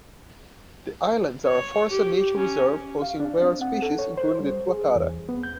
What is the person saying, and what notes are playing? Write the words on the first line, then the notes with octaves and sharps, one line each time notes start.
The islands are a forested nature reserve hosting rare species including the tuatara.
C#5
G4
C#4
F5
D4
C4
F#5
A4
C#5
C5
G3
G#4
E2
B3
G6